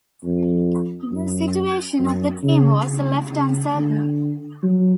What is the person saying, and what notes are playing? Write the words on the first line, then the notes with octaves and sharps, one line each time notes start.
The situation of the team was left uncertain.
F2
F#2
F#2
C#3
C#3
C#3
D3
F#3